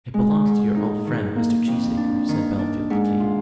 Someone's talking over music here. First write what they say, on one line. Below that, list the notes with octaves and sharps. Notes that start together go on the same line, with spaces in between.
"It belongs to your old friend, Mr. Cheesacre," said Bellfield to Kate.
G#3
G#2
D#4
D#3
A#3
F2
D4
D#3
D4
G#2
F4